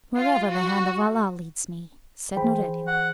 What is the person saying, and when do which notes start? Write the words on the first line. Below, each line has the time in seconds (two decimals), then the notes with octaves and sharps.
"Wherever the hand of Allah leads me," said Noureddin.
0.16 F4
0.51 F#4
2.36 E3 G#4 C5 G5 B5
2.87 F#5